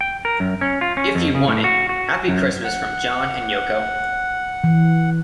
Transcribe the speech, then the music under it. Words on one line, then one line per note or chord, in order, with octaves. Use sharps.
If You Want It - Happy Christmas from John and Yoko.
G5
A#4
F#2
C#4
F4
C#4
F2
C#3
A2
F#4
F#4
F#2
F#5
E3